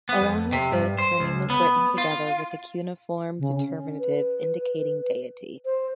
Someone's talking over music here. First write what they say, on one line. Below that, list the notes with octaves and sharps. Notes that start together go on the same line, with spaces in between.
Along with this her name was written together with the cuneiform determinative indicating deity.
B3
F2
C3
G2
C5
C#2
B3
F4
C#3
C#4
B4
C5